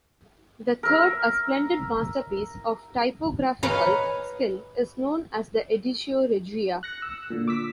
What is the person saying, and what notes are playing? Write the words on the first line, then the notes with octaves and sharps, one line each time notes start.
The third, a splendid masterpiece of typographical skill, is known as the Editio Regia.
A#4 E5
B4 C#5 D#5 F5 G#5 A#5
F#6 A#6 C#7
E6
A#2 D3
D6 E6 B6